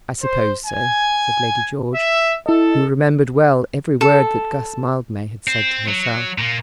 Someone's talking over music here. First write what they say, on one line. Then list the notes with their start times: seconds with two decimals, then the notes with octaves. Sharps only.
"I suppose so," said Lady George, who remembered well every word that Gus Mildmay had said to herself.
0.21 C5
0.65 G#5
1.92 E5
2.46 E4 A4 D#5
4.01 A4
5.47 C4
5.88 F#3
6.38 A#2 A#3